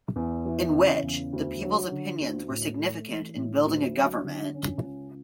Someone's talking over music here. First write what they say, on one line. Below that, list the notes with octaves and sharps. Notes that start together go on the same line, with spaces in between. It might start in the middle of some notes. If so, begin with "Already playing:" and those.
In which, the people's opinions were significant in building a government.
E2
E3
C#3
E2
D2
F#3
D3
D2
A2
A3
E3
A2
D2
F#3
D3
C#4
C#2